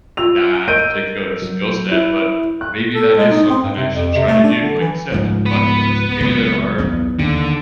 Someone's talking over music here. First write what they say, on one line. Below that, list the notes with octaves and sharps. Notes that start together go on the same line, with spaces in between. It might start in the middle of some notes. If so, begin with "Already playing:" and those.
that particular skill set, but maybe that is something I should try to do, like you said, that bucket list, maybe there are
F4 E6 F7
A#4 D#5 E6 G6 D7 D#7
F#3
E4
F#6
A4
G#3
D#4
C4
G2
C3
F2
C3
A3
D4
D3
E3
C#2 G#2 F3
B3 B4
C#2 A#2 F#3
B1 E2 B3
D#2 D3